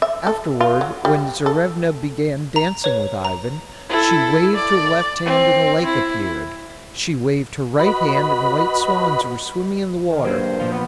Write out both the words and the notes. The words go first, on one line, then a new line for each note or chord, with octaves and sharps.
Afterward, when Tsarevna began dancing with Ivan, she waved her left hand and a lake appeared; she waved her right hand and white swans were swimming in the water.
E5
A4
F4
F#3
G3
A4
A#5
B4 C#5
A#5
E4 A4
D5
C4
E4
F#4 B4 D#5 B5
D#3
G2 B2 F#3 A#3 C5
A#2 F3 F4
B3